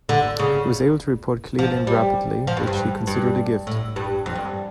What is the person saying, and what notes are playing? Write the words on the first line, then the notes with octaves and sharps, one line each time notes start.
He was able to report clearly and rapidly, which he considered a gift.
D3
C#3
F3
G3
F3
G2
G2
G2
A2
G2
F2
G2